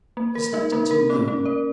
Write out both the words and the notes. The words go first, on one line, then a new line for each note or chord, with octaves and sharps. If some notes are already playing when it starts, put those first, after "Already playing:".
He slept until noon.
A#3
A#4
D#4
A#3
A#4
C#4
C#4
D5